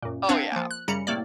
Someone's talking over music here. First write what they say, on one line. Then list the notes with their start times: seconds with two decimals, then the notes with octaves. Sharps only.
Oh, yeah.
0.02 F#2 A#2
0.29 C4 D4 B4 C#5 F5 F#5
0.52 F3 A#3
0.71 F#6
0.88 F#2 C#3 G3 A#5 B5 C#7
1.07 A2 C3 A#3 D5